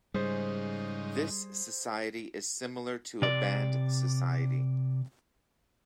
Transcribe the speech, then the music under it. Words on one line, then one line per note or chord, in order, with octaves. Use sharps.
This society is similar to a band society.
G#2 C#3 G3 D#4 G#4 C5
C3 D5